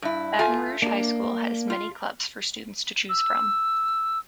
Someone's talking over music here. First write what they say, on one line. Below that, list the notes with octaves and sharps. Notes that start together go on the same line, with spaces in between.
Baton Rouge High School has many clubs for students to choose from.
G2 E4
A3 F4 G#5
A#3 D4
F4
E6